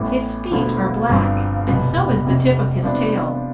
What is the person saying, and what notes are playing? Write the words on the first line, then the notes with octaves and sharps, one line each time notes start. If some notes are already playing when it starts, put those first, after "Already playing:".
His feet are black and so is the tip of his tail.
Already playing: A1 A2 E3 B3
E1 D2 D3 F3 B3
G1 G2 F3 C4
F1 E2 B2 B3
F1 E2 C3
C3 F3 B3 D4